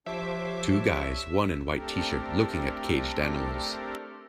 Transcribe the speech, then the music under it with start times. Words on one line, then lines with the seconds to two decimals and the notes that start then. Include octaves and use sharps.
Two guys, one in white tshirt, looking at caged animals.
0.06 F3 D4 G4 A4 C5 C#5 E5 D6
1.70 A3 C4 D4 G4 A4 A#4